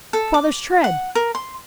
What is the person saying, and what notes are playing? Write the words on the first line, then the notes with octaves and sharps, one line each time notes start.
Father's tread!'
A4
D6
F#5
A#4
C6